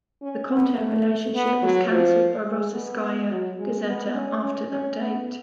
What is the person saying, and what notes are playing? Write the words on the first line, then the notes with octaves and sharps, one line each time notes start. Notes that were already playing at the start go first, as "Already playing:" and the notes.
The content relationship was cancelled by Rossiyskaya Gazeta after that date.
C#4
B3
A3
B3
F#3
F3
G#3
B3
F#3
G#3
B3
C#4
C#4
C#4
B3